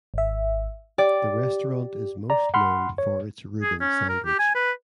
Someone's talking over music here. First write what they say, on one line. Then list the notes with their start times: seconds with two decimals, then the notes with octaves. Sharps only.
The restaurant is most known for its Reuben sandwich.
0.14 G#1 E5
0.98 G4 D5
2.30 D5 A#5
2.54 F#5 B5 C6 F6
2.98 C#5
3.62 G#4
3.80 C#4
4.09 A#4
4.25 G4
4.39 G#5
4.55 B4